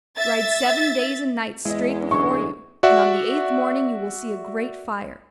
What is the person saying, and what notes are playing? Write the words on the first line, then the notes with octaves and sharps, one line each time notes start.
Ride seven days and nights straight before you, and on the eighth morning you will see a great fire.
E5 A6
E2 G#3 E4 D#5
F#2 D3 F#3 G#3 C#6
F#4 D5 E5 F#5